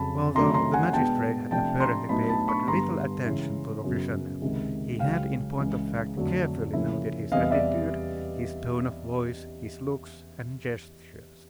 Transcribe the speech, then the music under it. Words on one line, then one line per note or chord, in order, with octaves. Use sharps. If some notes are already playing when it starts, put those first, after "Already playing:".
Although the magistrate had apparently paid but little attention to the prisoner, he had in point of fact carefully noted his attitude, his tone of voice, his looks and gestures.
Already playing: F2 C#3 F#3 A5 B5
C3 D#3 F#3 A3 C#4 A#5 C6
A#5 C6
F#5 G#5
B2 G#3 B3 D4 G5 A5
C3 F3 A3 D4 G5 A5
A#5 C6
A2 F#3 B3 D#4 A5 B5
A5 B5
B5 C#6
G2 D3 G3 B3 A#5 C6
C#3 E3 G#3 C#4 E4
F#2 C#3 F#3 B3
C#2 C3 D#3 G#3
C#2 C#3 F#3 F5 G5
C#2 C#3 E3 G#3
F2 D3 F#3 A3 D4
C#3 F3 A#3 C#4 E4
E2 C3 E3 G3 B3 D#5 F5
D5 E5